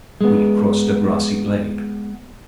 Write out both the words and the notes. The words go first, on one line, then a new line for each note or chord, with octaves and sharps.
We crossed a grassy glade.
G#3 B3